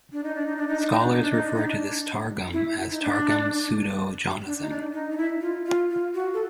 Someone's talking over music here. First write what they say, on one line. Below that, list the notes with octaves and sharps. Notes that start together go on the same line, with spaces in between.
Scholars refer to this "targum" as Targum Pseudo-Jonathan.
D4
D#4
D4
D#4
D4
D#4
D4
D#4
D4
D#4
D4
D#4
D4
D#4
D4
E4
D#4
D4
D4
D#4
D4
D#4
D#4
E4
F4
F4
F4
F#4
A4